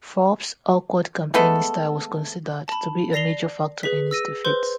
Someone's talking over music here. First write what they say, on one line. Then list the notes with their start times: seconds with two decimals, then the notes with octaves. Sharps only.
Forbes' awkward campaigning style was considered to be a major factor in his defeat.
1.34 G#3 A3 B3 A4
2.68 A5 B5
3.13 D5 A#6 C7 F7 G7
3.83 G#4 B4 B6
4.11 E6 A#6 D#7
4.45 B4 C5 C6 G6